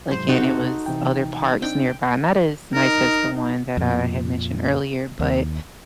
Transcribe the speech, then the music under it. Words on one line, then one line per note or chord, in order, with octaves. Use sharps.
again it was other parks nearby, not as nice as the one that I had mentioned earlier, but
G#2 C3 F#3 C5
C3 D#4 F#4 A4
C3 E3 G5
C4 D4 D#4 G5
D#4 A#4
D#4
F2 A#2
D#2